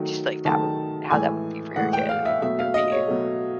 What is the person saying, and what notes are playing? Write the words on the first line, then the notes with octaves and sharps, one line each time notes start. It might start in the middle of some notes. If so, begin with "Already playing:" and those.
just, like, that would how that would be for your kid. It would it would be
Already playing: D#3 F#3 A3
D#3 F#3 A3 A5
A2 E3 G#3 G#5
A2 E3 G#3 F#5
G5
F5
E5
B2 F#3 A3 E5
F5
D#5
C#5
B2 F#3 A3